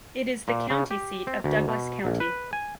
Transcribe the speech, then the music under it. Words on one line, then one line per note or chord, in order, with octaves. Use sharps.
It is the county seat of Douglas County.
A#2
C#3
G4
C4
D2
B2
A#1
B4
G#5